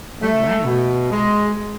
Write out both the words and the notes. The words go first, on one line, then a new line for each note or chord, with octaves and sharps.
Oh, wow.
A3
B2
G#3